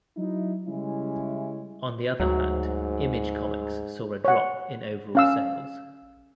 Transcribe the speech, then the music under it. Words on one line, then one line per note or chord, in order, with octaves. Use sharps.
On the other hand Image Comics saw a drop in overall sales.
F#3 D#4 E4
C#3 G3 G#3 C#4 E4
D2 G#2 F#3
C#5 F#5
C#4 F5 E6